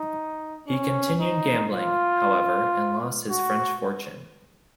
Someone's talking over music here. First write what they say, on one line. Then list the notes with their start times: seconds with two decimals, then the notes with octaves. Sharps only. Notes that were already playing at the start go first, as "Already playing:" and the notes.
He continued gambling, however, and lost his French fortune.
Already playing: D#4
0.67 C#4
1.20 D#4
1.72 F4
3.30 F#4